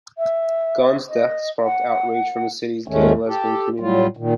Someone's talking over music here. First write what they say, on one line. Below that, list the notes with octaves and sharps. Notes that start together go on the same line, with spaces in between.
Gunn's death sparked outrage from the city's gay and lesbian community.
E5
D#5
F#5
D#2 G#2 D#3 G#3 A3 C#4
G4 A4
A2 F#3 G3 F4
A#2 D#3